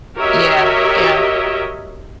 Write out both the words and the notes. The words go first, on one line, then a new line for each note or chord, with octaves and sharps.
Yeah, yeah.
F#4 G4 A#4 C#5 D#5 E5